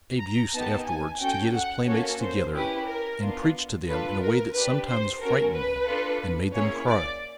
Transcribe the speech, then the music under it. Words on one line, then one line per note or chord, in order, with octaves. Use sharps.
Abe used afterward to get his playmates together and preach to them in a way that sometimes frightened them and made them cry.
A#5
B3 D#4 G4 A5
G#5
C#4 F#4 A4 G5
F#5
A#3 C#4 F#4 A4 C#5
C5
C#4 E4 G4 B4
A#4
B3 D4 F4
D4 F4 A4 B4
A#4
D4 G4 B4
C5
C#4 F#4 A4 A#4
B4
D4 F4 A4
A#3 C#4 E4 G#4 C#5
D5